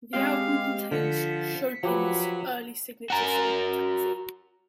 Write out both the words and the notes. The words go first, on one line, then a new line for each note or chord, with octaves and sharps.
The album contains Chapin's early signature song Taxi.
G#3 C4 G4 F5
D3 F3 B6 C#7
F3 F#3 G4 B4
F#4 A#4